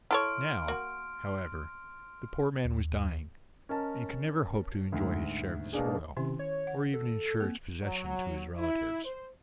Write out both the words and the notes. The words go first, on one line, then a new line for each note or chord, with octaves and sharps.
Now, however, the poor man was dying, and could never hope to enjoy his share of the spoil, or even insure its possession to his relatives.
E4 A4 C#5 C6 F6 D7
A#3 F#4
D#2
C#4 A#4 D#5 A5
D2 G#2
B2 A#3 D4 G#4
C3 D#3 C#4 E4
C#5
F#5
A4
A#3 C4
F#3
E4
C5